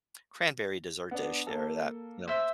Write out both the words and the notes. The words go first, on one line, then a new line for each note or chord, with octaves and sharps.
cranberry dessert dish there that, you know,
B3 D4
A#3 A4
C5 E5